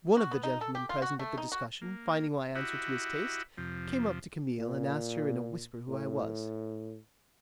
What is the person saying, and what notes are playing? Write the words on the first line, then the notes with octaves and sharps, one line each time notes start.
One of the gentlemen present at the discussion, finding my answer to his taste, came up to Camille, and asked her in a whisper who I was.
F#4
B3
D#4
A4
G4
F4
F#4
A3
D#4
F#4
A#3
E4 F#4 G4 D#5 E5 F#5
F2 C3 F3
A#2
A2